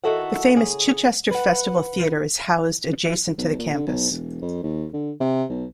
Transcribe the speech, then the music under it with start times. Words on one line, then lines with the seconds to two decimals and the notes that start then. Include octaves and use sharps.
The famous Chichester Festival Theatre is housed adjacent to the campus.
0.04 D#3 E4 F#4 A4 E5 F#5
0.57 C#3 G#4
1.31 B4 F#5
3.38 B1
3.59 A#2
3.74 D3
3.87 B1
4.11 E1
4.42 F2
4.63 D#2
4.94 D3
5.21 C3
5.50 B1